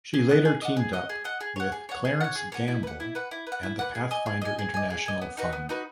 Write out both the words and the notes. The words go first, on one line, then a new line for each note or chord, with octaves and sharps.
She later teamed up with Clarence Gamble and the Pathfinder International Fund.
G#4
D#5 F#5
G#4
D#5 F#5
G#4
D#5 F#5
G#4
D#5 F#5
G#4
C#5 F#5
G#4
C#5 F#5
G#4
C#5 F#5
G#4
C#5 F#5
E4
B4 F#5
E4
B4 F#5
E4
B4
F#5
E4
B4 F#5
G#4
D#5 G#5
G#4
D#5 G#5
G#4
D#5 G#5
G#4
D#5 G#5
B3
D#4 F#4 B4
B3
D#4 F#4 B4